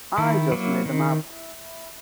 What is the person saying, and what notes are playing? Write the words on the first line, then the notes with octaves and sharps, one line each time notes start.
I just made them up.
D#3 E4
F#3 A#3
D#3